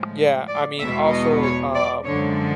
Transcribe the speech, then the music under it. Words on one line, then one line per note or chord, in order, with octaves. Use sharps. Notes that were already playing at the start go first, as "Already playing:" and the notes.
Yeah, I mean, also, um
Already playing: A2 F3 G#3
D5
E2 B2 G#3 B3 E5
D#5
C#5
D5
F#2 D3 F3 G#3 C#5